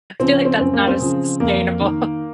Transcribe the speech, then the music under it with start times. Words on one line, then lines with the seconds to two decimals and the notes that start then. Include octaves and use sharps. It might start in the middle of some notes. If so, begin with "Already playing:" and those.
feel like that's not as sustainable,
0.19 C#3 F3 C4
0.32 C#4
0.45 C4
0.60 F#2 C4
0.74 A#3
0.87 C4
1.00 C#3 F3
1.40 F2 A#3
1.81 D#3